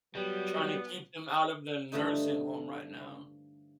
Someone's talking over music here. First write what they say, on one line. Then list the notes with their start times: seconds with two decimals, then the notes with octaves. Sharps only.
trying to keep them out of the nursing home right now.
0.15 F#3 G3 B3
1.92 G2 D3 E3 F3 A3 D#4